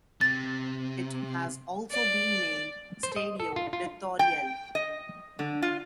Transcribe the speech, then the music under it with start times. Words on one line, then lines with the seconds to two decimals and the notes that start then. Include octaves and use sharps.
It has also been named Stadio Littoriale.
0.21 C3 A6
1.92 D5
3.03 C5
3.16 D#5
3.40 A4
3.56 F4
3.73 F4
4.19 G5
4.75 D#5
5.39 D3
5.62 F4